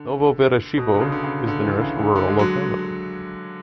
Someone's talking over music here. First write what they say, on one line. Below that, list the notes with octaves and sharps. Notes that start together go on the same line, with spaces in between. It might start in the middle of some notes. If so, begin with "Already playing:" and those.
Novomereshchevo is the nearest rural locality.
Already playing: D3
B2
D3
C#3
D3
C#3
D3
E3
C#3
D3
D3
G#3
F#3